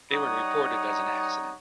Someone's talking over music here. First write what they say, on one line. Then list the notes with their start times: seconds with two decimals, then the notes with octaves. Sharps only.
They would report it as an accident.
0.12 G3 D#4 C#5 F#5 A#5 D#6